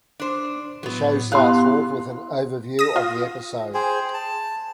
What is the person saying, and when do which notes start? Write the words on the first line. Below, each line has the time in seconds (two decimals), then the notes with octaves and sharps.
The show starts off with an overview of the episode.
0.20 D4 C5
0.83 A2 F#3 B3
1.32 G2 B3 E4 G4 F5 C6 F#6
2.79 D#6 A#6
2.96 F4
3.74 G#4 C5 G5
4.14 A5